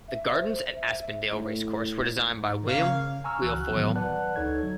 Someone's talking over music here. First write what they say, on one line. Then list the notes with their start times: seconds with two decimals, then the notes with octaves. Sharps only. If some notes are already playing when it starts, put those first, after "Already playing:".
The gardens at Aspendale Racecourse were designed by William Guilfoyle.
0.08 E5
0.32 C5
0.76 E5
1.33 A2
2.34 G#2
2.68 C#3 A#3 C#5 F5
3.24 G#5 A#5 C#6 E6 F6
3.42 C#2 E3 F#4 F#6
3.71 A2 D#3 E3 F#3 B3
3.96 B4 D5 F#5 A5 F#6
4.36 D2 D#4 A4 C#5 G#6
4.63 F#3